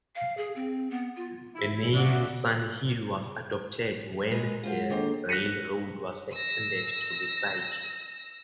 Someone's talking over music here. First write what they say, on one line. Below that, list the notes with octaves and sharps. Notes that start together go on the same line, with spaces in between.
The name Sun Hill was adopted when the railroad was extended to the site.
F5
G#4
C4
B3
F4
E4
C#3 F#4 D5 E5
G#3 A#4 B4
G#3 F4 G#4 C5 F5 F#5
D#3 A#3 D4 A4 C5
F#6 A#6 B6 C#7 D#7
E6 A#6